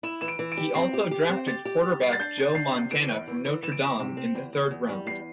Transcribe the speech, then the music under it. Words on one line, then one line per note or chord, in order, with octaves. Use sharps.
He also drafted quarterback Joe Montana from Notre Dame in the third round.
E4 E7
E3 E7
D7
E3
D7
G4
C4 C7
G4
G4
C4
G4 A6
G4
G4
G3 C7
A6
D4 G6
C3
D4 C7
C3
E3 D7
E2
E3
E3
E3 E7
D7
E2 E7
C3
C4
E2
E2
E2
G3
E2 C7